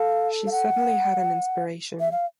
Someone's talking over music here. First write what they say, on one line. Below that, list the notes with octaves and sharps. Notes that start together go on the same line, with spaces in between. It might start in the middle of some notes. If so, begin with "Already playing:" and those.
She suddenly had an inspiration.
Already playing: A4 F5
F5
F#5
E5
F5